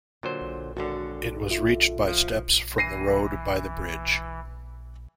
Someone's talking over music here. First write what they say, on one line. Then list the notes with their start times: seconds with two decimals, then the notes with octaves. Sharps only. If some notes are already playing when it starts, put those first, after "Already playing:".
It was reached by steps from the road by the bridge.
0.23 A#2 D3 F#3 C5
0.77 G#1 D3 F#4 A4 C#5
1.51 F4 E5
2.08 F3
2.78 E3 A#6 C7 D#7